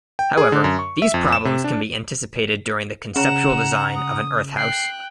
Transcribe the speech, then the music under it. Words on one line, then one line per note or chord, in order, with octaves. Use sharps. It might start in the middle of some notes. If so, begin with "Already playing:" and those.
However, these problems can be anticipated during the conceptual design of an earth house.
G5
G#4
D3
F#2
C#6
E5
F2
E7
C3
D4
C#3 F#5 A#5 E7
D#6
G5 F#6 C7